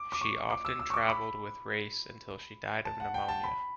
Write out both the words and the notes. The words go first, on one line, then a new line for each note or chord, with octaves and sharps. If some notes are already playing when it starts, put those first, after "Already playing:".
She often traveled with Race until she died of pneumonia.
Already playing: D6
D6
C#6
D6
E6
E6
C#6
D6
B5
A5
F#5
G5
A5
B5